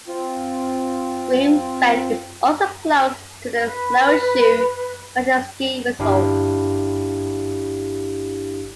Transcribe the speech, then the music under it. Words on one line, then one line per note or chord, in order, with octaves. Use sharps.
Green Bank is also close to the Snowshoe Mountain ski resort.
C4 F4
B4
G1 D4 E4 G4 F5